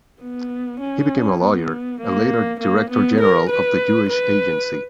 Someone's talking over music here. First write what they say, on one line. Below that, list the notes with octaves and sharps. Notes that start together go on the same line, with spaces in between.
He became a lawyer, and later Director General of the Jewish Agency.
B3
C#4
B3
A#3
A#3
B3
A#4
B4
B4